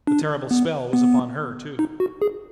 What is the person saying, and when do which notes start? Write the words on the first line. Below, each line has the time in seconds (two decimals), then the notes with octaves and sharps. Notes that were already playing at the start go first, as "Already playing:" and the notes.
The terrible spell was upon her, too.
0.07 D4
0.51 B3
0.93 B3
1.79 D#4
2.00 F#4
2.22 G#4